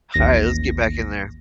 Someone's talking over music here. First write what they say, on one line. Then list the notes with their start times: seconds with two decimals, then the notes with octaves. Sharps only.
Alright, let's get back in there.
0.14 A1 D#2 A#6